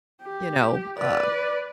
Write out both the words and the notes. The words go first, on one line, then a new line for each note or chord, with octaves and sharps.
you know, uh
G4
B4 D5